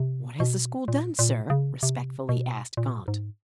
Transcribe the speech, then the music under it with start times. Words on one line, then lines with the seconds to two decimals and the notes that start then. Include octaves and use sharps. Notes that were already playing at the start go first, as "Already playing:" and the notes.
"What has the school done, sir?" respectfully asked Gaunt.
Already playing: C3
0.40 B2
0.88 A#2
1.19 A#2
1.50 C#3
1.83 C3
2.29 B2
2.77 A#2
3.08 G#2